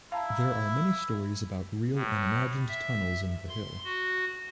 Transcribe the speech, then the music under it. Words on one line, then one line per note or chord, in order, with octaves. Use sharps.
There are many stories about real and imagined tunnels in the hill.
E4 F5 A5 A#5
A2
E5
C6
F#4